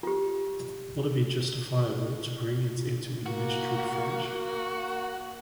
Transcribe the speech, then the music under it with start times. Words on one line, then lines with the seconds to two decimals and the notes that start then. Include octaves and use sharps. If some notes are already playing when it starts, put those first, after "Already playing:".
Would it be justifiable to bring it into English through the French?
0.03 F4 G4
3.26 A#3 F#4